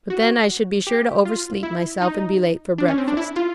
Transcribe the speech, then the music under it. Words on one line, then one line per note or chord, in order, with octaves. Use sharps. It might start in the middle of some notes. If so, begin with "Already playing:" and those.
But then I should be sure to oversleep myself and be late for breakfast.
F#4
G4
F4
E4
D#4
D4
C#4
C4
D4
E4
F4